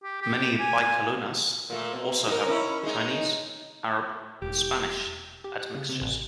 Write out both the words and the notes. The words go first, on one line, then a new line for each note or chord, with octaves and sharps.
Many Bicolanos also have Chinese, Arab, and Spanish admixtures.
G4
G4
G#5
A#2 A3
B2
D#4 A#4
C#4 E4
G#3 D#4
E1 G4
G4
F#6
C#3
C3
A1